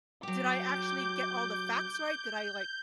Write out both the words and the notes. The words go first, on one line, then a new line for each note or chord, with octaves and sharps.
did I actually get all the facts right? Did I, like
F#3 G4 D6 G6